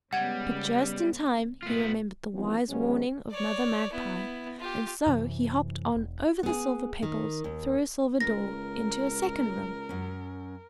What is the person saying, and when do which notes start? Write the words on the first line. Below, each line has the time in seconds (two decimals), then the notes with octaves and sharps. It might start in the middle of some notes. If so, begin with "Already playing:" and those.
But just in time he remembered the wise warning of Mother Magpie; and so he hopped on over the silver pebbles through a silver door into a second room.
0.13 C#3 G3 G#3 B3 F#5 G#6
1.63 A#2 A3 B3 F4
2.34 D#2 E3 F3 B3 C4
2.69 C3 F#3 G#3 B3 C#4
3.30 C#5 D5
3.92 B3 E4
4.59 F4 G4
5.06 F#2 C3 E3
5.94 E1
6.43 B3 G#4
7.02 D#3
7.44 D#2
8.20 C#2 A#4 A#6
9.89 F#2 C#4